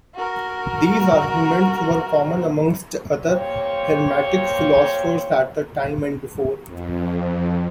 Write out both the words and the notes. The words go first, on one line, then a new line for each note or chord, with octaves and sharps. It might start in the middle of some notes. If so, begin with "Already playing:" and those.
These arguments were common amongst other hermetic philosophers at the time and before.
F#4 A#4
A#2 A#3 G4 C5 C#5
F2